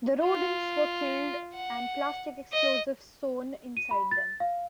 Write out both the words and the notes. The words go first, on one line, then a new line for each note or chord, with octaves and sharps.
The rodents were killed and plastic explosives sewn inside them.
F4
F#5
D#5
D#7
B5
A6
F5